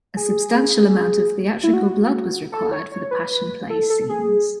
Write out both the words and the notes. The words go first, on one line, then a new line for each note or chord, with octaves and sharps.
A substantial amount of theatrical blood was required for the Passion play scenes.
G#4
E4
F#4
A4
C#5
C#5
B4
A4
A4
G#4